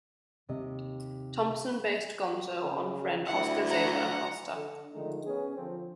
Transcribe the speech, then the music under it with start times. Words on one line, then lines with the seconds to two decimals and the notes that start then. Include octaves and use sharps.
Thompson based Gonzo on friend Oscar Zeta Acosta.
0.49 D#2 C3 D#5
2.63 C#3
3.26 D2 E4 F#5
3.68 F#5 A#5
4.53 D3
4.93 D3 D#3 F3 G#3 A3 D#4
5.25 B3 C#4 G#4
5.56 D3 F3 C4